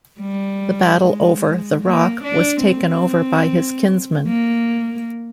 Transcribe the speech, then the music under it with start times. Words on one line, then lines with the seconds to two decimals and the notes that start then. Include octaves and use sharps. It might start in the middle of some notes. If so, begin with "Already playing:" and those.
The battle over "the rock" was taken over by his kinsmen.
0.20 G3
1.02 G#3
1.83 A#3
2.24 D4
2.64 C4
4.28 A#3